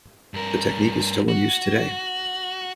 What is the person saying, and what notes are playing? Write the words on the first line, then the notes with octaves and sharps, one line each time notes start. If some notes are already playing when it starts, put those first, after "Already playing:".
The technique is still in use today.
G2 A#4
F#4